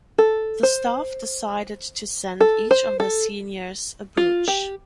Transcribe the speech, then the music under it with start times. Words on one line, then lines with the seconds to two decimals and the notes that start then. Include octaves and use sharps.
The staff decided to send each of their seniors a brooch.
0.18 A4
0.63 C5
2.41 A4
2.71 C5
3.00 A4
4.17 F4
4.48 G4